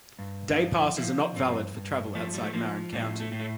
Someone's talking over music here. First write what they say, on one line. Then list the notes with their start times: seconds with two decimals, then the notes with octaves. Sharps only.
Day passes are not valid for travel outside Marin County.
0.19 G2
0.53 D4
0.58 F3 E4
0.77 E4
0.97 F3 E4
1.36 G2 C4
1.75 G2
2.15 F3 A3
2.34 G3
2.44 A3
2.53 F3 A#3
2.93 A2 G3
3.20 A3
3.32 A2
3.40 A3